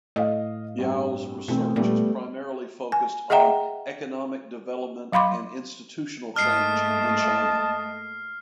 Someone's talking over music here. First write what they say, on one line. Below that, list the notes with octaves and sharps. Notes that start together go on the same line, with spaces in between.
Yao’s research is primarily focused on economic development and institutional change in China.
A2 D#5 F5
G2 C4 F#5
B2 E3 A3 C4
A#2 G3 A3 B3
G#5
G#4 D#5 E5 F#5 G5 A#5
F#3 F5 B5 C6 D6
G#2 A3 A#3 D#5 A5 F6 C7